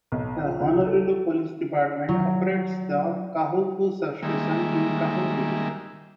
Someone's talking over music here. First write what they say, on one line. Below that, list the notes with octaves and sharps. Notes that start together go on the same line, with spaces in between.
The Honolulu Police Department operates the Kahuku Substation in Kahuku.
B1
F3
C#2
A4
F#3
D#3 G3 G#3 A#3 E5